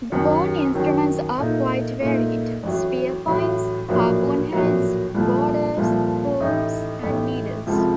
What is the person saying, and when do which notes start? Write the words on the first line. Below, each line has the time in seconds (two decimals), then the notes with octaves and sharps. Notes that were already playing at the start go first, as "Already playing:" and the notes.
The bone instruments are quite varied: spear-points; harpoon-heads, borers, hooks and needles.
0.12 F#2 D#3 F#3
0.74 F#2 D#3 F#3
1.38 A#2 A3 D#4
2.00 A#2 A3 D#4
2.63 A1 A2 F#3
3.26 A1 A2 F#3
3.89 A#1 A2 F#3 A#3
4.52 A#1 A2 F#3 A#3
5.15 C2 A#2 F3 A3
5.77 C2 A#2 F3 A3
6.40 A1 A2 A3 D#4
7.03 A1 A2 A3 D#4
7.66 C#2 C3 F3 A3